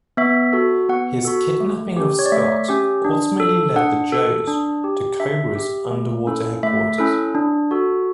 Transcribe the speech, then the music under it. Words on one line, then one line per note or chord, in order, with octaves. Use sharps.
His kidnapping of Scott ultimately led the Joes to Cobra's underwater headquarters.
B3 E5
F#4 A4
B3 F#5
F#4 A4
A3
C#4 G4
C#5
D5
A3 E5
C#4 G4
D4
A4
D4 F#5
A4
D4
G4
D4 E5
G4
A3
C#4 E4 A4
A3 E5
C#4 E4 A4
D4
F#4 A4